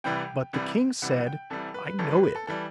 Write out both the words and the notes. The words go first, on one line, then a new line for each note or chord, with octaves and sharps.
But the king said, 'I know it.
C2 C3 E3 G3 G5
C2 C3 E3 G3
C2 C3 E3 G3 F#5
F#5
G5
C2 C3 E3 G3 A4
B4
B4
G1 F#2 E3 G3 A4
B4
B4
A4
E3 G3 A4